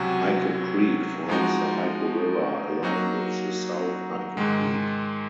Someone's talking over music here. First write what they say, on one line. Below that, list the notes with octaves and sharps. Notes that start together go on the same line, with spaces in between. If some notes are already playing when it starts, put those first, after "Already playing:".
Hyco Creek forms the Hyco River along with South Hyco Creek.
Already playing: C#2 C3 F#3 C#4 F#4
F3 G#3 D#4 F#4
F#3 A#3 D#4 F#4
G#2 D#3 G#3